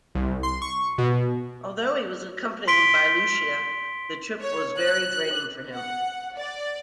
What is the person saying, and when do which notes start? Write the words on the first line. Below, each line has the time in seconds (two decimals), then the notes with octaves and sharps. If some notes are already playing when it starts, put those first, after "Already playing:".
Although he was accompanied by Lucia, the trip was very draining for him.
0.15 C2
0.43 C6
0.62 C#6
0.98 B2
2.68 C6 B6 D7 G7
4.41 C#5
4.78 F#6
5.74 F#5
6.37 D5